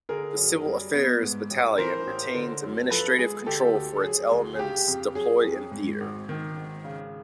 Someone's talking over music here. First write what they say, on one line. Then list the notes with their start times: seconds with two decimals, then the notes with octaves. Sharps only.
The civil affairs battalion retains administrative control for its elements deployed in theater.
0.09 D3 G#4 A#4
0.37 F#2
0.66 G3
0.94 B3
1.22 G#2
1.50 A1
1.78 E3 A#4 C5
2.07 A1
2.34 D3
2.63 F#2
2.91 F3 A4 B4
3.19 G#3 G#4
3.46 D3 G4 A4
3.75 D2
3.96 A4
4.03 F#3 G#4
4.32 D2
4.55 G#4
4.59 C#3 G4
4.88 F2
5.15 F#3 G#4
5.44 F2
5.72 G#2
6.00 G#1
6.29 D#3
6.56 G#1
6.84 C#3